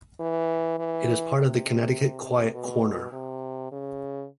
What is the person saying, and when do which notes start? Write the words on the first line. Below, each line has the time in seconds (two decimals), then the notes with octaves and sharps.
It is part of the Connecticut Quiet Corner.
0.20 E3
0.79 E3
1.36 C3
2.54 B2
3.12 C3
3.72 C#3